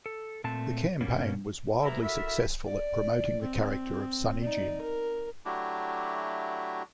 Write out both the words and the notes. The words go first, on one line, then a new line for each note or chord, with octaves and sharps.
The campaign was wildly successful at promoting the character of Sunny Jim.
A4
A#2 A3 C4 A5
G2 B2 G3 A#3 C#4
D2 G2 F3 A3 E4 A#5
E4 F#4 A4 A#4 E5
D5
C4
D#4 D5
A#4
F#3 A3 D4 E4 F#4 G4